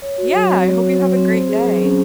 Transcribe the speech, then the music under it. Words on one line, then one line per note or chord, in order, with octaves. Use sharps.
Yeah, I hope you have a great day.
C#5
F#4
F#3
C4
C#5
F#4
F#3
C4
C5
G#4
F#3
C#4